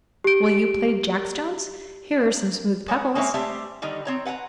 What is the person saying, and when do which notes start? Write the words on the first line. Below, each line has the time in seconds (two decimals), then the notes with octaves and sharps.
"Will you play jack-stones? here are some smooth pebbles."
0.24 G4 D7
2.88 G#3 C#5 F#5
3.15 G#3 A#3 C4 C#4 C#5 E5
3.34 G3 A3 C4 G4 E5
3.82 D3 D#3 G3 D#4
4.05 C4 C#5 A#5
4.25 B4 F#5 G5 A#5